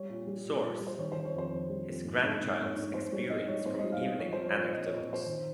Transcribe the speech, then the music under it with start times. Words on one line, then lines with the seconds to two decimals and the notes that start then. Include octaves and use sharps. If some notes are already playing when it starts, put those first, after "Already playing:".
Source: His grandchild's experience from evening anecdotes.
Already playing: G3 C#5
0.09 A#2
0.27 G3
0.45 A#2
0.63 A#2
0.80 G3
0.87 C5
0.98 D#3 C#5
1.12 C5
1.16 D#3
1.25 C#5
1.34 F2 C5
1.52 F2
1.70 G3
1.87 F2
2.05 G#2
2.23 G#2
2.41 G#2
2.59 G#2 C#5
2.76 G#2 C#5
2.94 G#2 C5
3.12 G3 C#5
3.30 G#2 D#5
3.48 G3 C#5
3.66 G#2 C5
3.79 D#5
3.84 G3
3.92 F5
4.01 G3 D#5
4.19 F3 C#5
4.33 C5
4.37 F3
4.46 C#5
4.55 A#2
4.73 A#2 D#5
4.86 C#5
4.91 A#2
4.99 C#5
5.08 A#2 C5
5.26 D#3